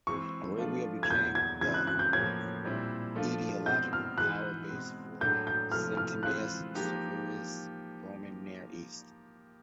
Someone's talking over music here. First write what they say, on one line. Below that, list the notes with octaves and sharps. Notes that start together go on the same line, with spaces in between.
Arabia became the ideological power base for Septemius Severus in the Roman Near East.
E3 G#3 C4 C#6
F3 A3 D4 F4
G#6
E2 B2 F#3 G6
G#6
C#3 E3 G#3 C4 E4 G#6
F#6
F#6
G6
A2 F3 A#3 C#4 G#6
A#2 G3 C4 E4
F3 A3 D4 F4
B2 G#3 C4 G6
F6
G#2 E3 G#3 F#6
B2 G#3 C4
A2 F#3 A3 D4 G6
G6
C3 F3 A3 F6
F6
E3 G#3 C4 F4 F#6
F3 A#3 D#4 G4